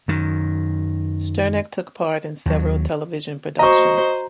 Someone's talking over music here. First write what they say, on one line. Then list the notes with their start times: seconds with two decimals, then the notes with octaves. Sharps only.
Sterneck took part in several television productions.
0.08 F#2 D#3
2.46 D#2 F#3
3.59 F#4 C5 D#5 A#5 C#6